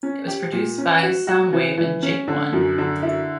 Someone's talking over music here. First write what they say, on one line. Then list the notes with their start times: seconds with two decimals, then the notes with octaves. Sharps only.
It was produced by Sounwave and Jake One.
0.03 C#4
0.27 G4
0.52 A#2
0.78 C#4
1.02 F#4
1.27 F#4
1.52 E3
1.77 E3
2.03 C#4
2.28 D3
2.53 F#2
2.78 D3
3.02 E4